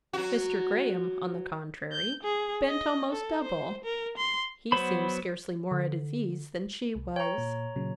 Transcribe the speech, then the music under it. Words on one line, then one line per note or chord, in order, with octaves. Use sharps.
Mr. Graham, on the contrary, bent almost double--he seemed scarcely more at his ease than she was.
F#3 F#4
G6
G#4
D#5
A4
C5
A#4
C6
F#3 B3 C5 B5
D3
C2
C#5 G5 A#5 C#6
A#2
A#2 C#3 F#3